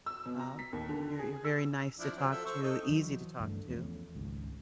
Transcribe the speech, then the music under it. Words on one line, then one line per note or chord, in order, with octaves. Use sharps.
Um, you're you're very nice to talk to, easy to talk to
E6
B2
A#5
B6
D#2
D3
G#4
E6
F3 D4 E4
F#3 C4
F3 A4 E5
C5 C#6 E6
C4 D#4 A4
E3 F#3
G2 E3 A3 D4
E2 F3 A3 C#4
G#1 C#2